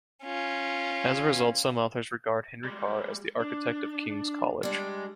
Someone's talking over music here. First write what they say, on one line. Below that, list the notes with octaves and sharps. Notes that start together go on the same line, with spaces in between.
As a result, some authors regard Henry Carr as the "architect of King's College".
C#4 F4
G3 G#3
D4
G3 G#3 D4